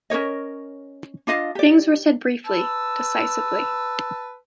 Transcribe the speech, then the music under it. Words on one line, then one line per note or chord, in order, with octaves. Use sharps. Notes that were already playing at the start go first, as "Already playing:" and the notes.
Things were said briefly, decisively.
C#4 A#4 C#5 D#5
D4 F4 D#5 F5
G4 D5
B4 A5 E6